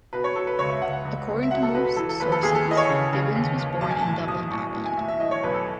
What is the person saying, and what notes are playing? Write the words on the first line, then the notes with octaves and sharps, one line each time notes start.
According to most sources, Gibbons was born in Dublin, Ireland.
B2 B4
C#5
B2 A4
B4
C#2 C#5
E5
C#2 F#5
F#5
C#2
C#2
E5
B2 F#5
A4
B2 B4
B4
E3 A4
A4
D#2 B4
A4
D#2 G#4
A4
E3
D#5
C#5
C#3
C#3
D#2
D#2
B1 A5
G#5
A5
A2
B1 D#6
A2 C#6
A2
G#5
A2 E5
E5
E3 D#5
C#5
B1 B4
A4